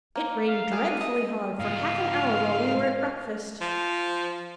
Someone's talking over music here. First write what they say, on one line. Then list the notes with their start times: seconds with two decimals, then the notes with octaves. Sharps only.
It rained dreadfully hard for half an hour while we were at breakfast.
0.16 A#3
0.46 F5
0.72 D4 G#4
0.87 D#7
1.01 D#5 E5
1.60 G#2 F4 F5
3.61 F3